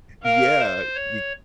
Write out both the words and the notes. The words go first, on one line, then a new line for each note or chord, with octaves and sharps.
yeah, you
A#4 F5
C5
C#5